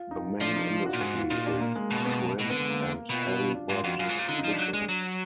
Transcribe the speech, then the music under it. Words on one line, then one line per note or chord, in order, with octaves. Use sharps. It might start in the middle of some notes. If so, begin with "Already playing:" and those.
The main industry is shrimp and halibut fishing.
Already playing: F4
D#4
F3 D4
D#4
F4
F#4
A#2
G#2 F#4
F4
A#2 D#4
D4
A#3
G#3
B2 A#3
B3
A#3
B2
D3 B3
G#3
A#3
A#3
A#3
B2 F4
F#4
F4
D4
G#2 F4
F2 F#4
F#2 F4
G#2
A#2 F4
D3 D#4
D#4
F3 D4
F#3
G#3
F#3